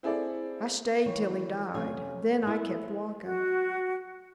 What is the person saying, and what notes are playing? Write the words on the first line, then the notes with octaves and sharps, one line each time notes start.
I stayed till he died; then I kept walking.
C4 E4 G#4 A4 D5
D#3 E3 C#5
F2 C3 A3 C#4 F5 G#5
G3 A3 E4
F#4